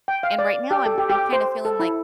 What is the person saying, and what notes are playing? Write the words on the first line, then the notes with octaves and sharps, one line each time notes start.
And right now, I'm I'm kinda feeling like
G5
F5
D5
G4
A4
G4
G4
C5
A4
E4